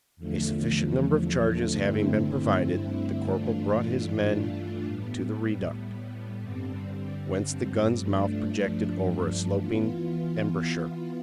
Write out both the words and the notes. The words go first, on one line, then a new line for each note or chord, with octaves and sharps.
A sufficient number of charges having been provided, the corporal brought his men to the reduct, whence the gun's mouth projected over a sloping embrasure.
E2 D3 F3 A3
G2 D3 A3 C4 E4
G2 E3 A3 D4 F4
A2 G3 B3
G2 D3 G3 C4
G2 F3 A3 D4
E3 B3 F4